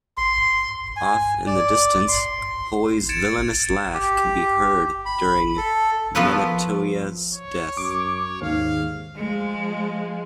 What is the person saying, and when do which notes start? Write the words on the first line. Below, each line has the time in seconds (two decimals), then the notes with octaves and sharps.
Off in the distance, Hoi's villainous laugh can be heard during Minotia's death.
0.17 C6
0.97 G#5
1.47 D5
2.08 C6
3.09 G#6 A6 C#7 D7 E7
3.94 G4
5.06 B5
5.57 A4
6.15 F3 B3 A4 B4 C#5
7.33 C#5
7.77 F#2 D6
8.42 D#2 G#2 F5
9.16 F3 G#3